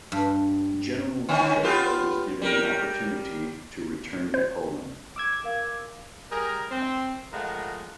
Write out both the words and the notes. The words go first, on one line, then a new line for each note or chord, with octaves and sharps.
General Kutrzeba was given an opportunity to return to Poland.
G2
D3 D#3 C#4
B3 F4 G4
G3 A#4
C5
D6 E6 G#6
A#4 F5
G3 G#4 A#4
C4
A2 F3 G#3 A#4 F#5